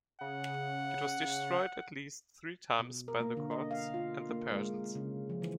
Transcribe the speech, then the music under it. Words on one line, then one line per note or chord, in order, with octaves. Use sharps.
It was destroyed at least three times by the Kurds and the Persians.
C#3 F#5
B2
A#4
A#3
D3
D#5
F5
F4
A#3
G#3
C#3
F3
E3